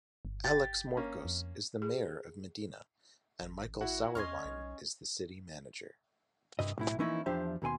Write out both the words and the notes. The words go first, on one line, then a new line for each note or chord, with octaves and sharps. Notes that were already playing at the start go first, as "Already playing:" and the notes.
Alex Morcos is the mayor of Medina and Michael Sauerwein is the City Manager.
G1
G4 A6
A#3 C#4
F2
G#4
G#1
E4 F#4 F#5
E2 C#4 D#5 C6 F6 G#6
B1
C2 G2 D#5
B1 A2 E4
E3 F3 A#3 C#4 D#4 E4
E2 F3 D4 G4 C5 E5
D#2 B2 A4 G#5 C6